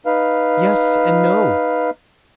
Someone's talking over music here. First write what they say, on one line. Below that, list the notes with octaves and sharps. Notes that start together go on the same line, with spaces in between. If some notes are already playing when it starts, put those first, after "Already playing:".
"Yes and no."
D#4 B4 F5